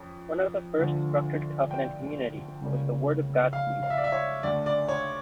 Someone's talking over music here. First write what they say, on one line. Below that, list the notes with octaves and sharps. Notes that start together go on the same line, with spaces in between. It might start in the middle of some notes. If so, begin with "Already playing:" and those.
One of the first structured covenant communities was the Word of God Community.
Already playing: F2 C#4
D2 D3 F3
G5
C#2 C#3 G3 A#3 C#4
F5
F5
E5
D5
E5
C#5
D2 D3 A3 D5
D5
C#5